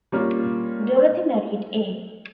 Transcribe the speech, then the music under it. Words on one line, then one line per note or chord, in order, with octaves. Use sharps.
Dorothy married A.
G3 A#3 C#4 F4